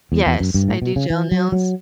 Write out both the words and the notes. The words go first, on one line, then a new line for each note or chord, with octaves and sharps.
Yes. I do gel nails,
E2
E2
F#2
G2
A2
B2
C#3
E3
F#3
F#3